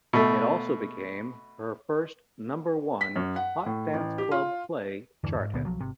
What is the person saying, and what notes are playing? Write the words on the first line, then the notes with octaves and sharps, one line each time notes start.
It also became her first number-one Hot Dance Club Play Chart hit.
B2 A3
B6
F#2
F#5
A2
A1
G4
F4
E2 G2 D3 E3
G#2
C#2 A#2 D3 B3
B1 F3 F#3
G#1 C3